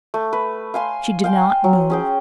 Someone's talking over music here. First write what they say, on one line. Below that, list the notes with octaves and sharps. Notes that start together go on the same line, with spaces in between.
She did not move.
A3
B4
F5 G#5 C6
F5 G5 G#5 C6
F#3
C#4 G#4 G5